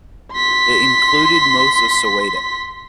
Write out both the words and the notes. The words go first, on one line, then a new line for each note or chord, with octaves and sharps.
It included most of Soweto.
C6 B6